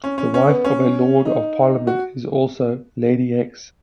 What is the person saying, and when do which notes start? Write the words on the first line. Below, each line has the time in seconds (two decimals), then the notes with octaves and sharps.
The wife of a Lord of Parliament is also "Lady X".
0.04 C#4
0.18 C#4
0.34 C#4
0.50 B3
0.64 C#4
1.25 D#4
1.87 F#4